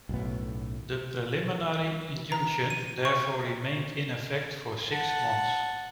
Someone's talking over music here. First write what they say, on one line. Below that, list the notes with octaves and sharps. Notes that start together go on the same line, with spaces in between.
The preliminary injunction therefore remained in effect for six months.
B1 F#2 A2 B3
A#5
D#7
C#6
F#5 A5